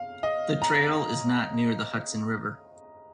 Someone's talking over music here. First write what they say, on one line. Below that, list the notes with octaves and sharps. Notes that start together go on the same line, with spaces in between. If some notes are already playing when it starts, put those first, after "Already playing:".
The trail is not near the Hudson River.
Already playing: F5
D#5
A#5